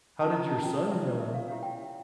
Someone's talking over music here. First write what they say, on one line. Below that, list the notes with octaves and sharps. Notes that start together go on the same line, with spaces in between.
How did your son, uh,
C#4 F4 A4 C#5 A5
A#5
A5
C#4 F4 A4 C#5 G5
D5
E5
E4 G4 C#5 D5
E5
F5
E4 G4 C#5 F5
G5